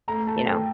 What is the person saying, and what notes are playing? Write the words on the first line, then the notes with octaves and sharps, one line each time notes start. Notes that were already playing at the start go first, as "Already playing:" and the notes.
you know.
A3 A#5
A3 A5
A5
A3 G5